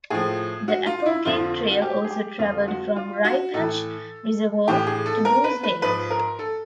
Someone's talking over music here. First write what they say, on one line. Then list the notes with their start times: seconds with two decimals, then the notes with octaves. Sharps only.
The Applegate Trail also traveled from Rye Patch Reservoir to Goose Lake.
0.10 A2 F3 G#4
0.68 F#4
0.86 F4
1.06 E4
1.25 F2 D3 F3 F4
1.71 F#4
1.82 G4
2.04 G#4
2.11 G4
2.39 F2 D3 F3 F4
2.68 F#4
2.96 F4
3.25 F#4
3.53 A2 E3 A4
4.68 A2 E3 G4
4.87 G#4
5.06 A4
5.25 A#4
5.44 B4
5.63 B4
5.82 G#2 F3 B4
6.10 A#4
6.39 A4